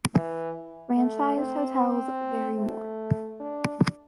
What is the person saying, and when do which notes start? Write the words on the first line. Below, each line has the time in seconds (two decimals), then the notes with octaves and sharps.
Franchised hotels vary more.
0.14 E3
0.96 A3
1.37 C4
1.77 C4
2.58 A3
3.40 D4